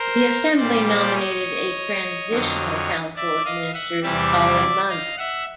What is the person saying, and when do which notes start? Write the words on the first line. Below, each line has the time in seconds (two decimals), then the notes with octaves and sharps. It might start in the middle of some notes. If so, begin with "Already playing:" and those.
The Assembly nominated a transitional Council of Ministers the following month.
Already playing: A#4 C5
0.57 A#2 G3 C5 D5
0.86 C5 D5
1.15 C#5 D#5
2.30 F2 D3 F#3
3.16 D5 E5
3.45 D#5 F5
3.74 E5 F#5
4.03 E2 C3 E3 G3 D5 E5
4.89 D#5 F5
5.18 E5 F#5